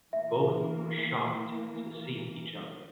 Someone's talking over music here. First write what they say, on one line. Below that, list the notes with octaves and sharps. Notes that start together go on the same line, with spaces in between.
Both were shocked to see each other.
E3 A#3 E5